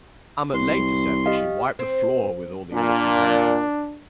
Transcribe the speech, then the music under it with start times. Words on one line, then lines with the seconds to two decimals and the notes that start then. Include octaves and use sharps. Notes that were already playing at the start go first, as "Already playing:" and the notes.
Amott later said that she wiped the floor with all the other contenders.
0.54 C2 C6
1.26 G4 D#5 F5
1.79 C4
2.73 A#2 D4